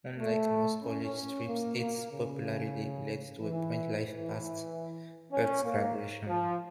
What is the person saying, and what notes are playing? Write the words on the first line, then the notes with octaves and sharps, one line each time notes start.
Unlike most college strips, its popularity led to a print life past Hurt's graduation.
A3
C#4
A#3
A#3
C#3
E3
E3
C#4
A#3
F3